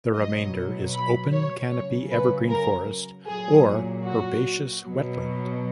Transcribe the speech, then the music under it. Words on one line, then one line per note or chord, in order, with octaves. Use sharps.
The remainder is open canopy evergreen forest or herbaceous wetland.
B2 F#3 D#5
B5
C#5
C#3 F#3 C#5
B4
A#4
A#2 F#3 G#4
F#4
B2 F#3